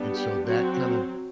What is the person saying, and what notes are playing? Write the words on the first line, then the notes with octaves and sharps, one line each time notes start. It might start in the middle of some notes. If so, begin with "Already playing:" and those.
and so that kind of,
Already playing: G3 B3 D4
G4
F#3 C4 F#4